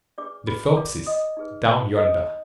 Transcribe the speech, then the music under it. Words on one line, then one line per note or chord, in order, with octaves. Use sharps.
"The Phelpses, down yonder."
D4 G#4 B4 D5 D6
B4 B5
D5 D6
D#5 D#6
D#4 G#4 B4
D#5 D#6